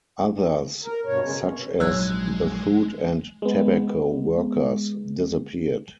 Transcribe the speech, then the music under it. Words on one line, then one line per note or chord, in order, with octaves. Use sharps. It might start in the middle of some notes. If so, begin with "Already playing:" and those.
Others, such as the Food and Tobacco Workers, disappeared.
A#4
G2 B2 C#5
C#3 G#3
B2
A#1 G#2 F#3 G#3 E6 F#6 G#6
G#3 B3